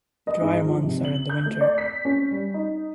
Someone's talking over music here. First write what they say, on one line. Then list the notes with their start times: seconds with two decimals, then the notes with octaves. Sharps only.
The drier months are in the winter.
0.27 D#5
0.41 G#2
0.65 F3
0.83 C3
1.05 F#7
1.30 G6
1.46 A3
1.61 D5
1.78 B6
2.05 C#4
2.31 G3
2.54 D#4